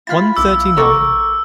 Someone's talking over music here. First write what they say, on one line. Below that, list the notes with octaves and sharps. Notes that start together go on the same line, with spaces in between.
One thirty-nine.
E4 F4 B5 F6 A6
B1 D6 E6
A1 A4 A#4 C#6 D6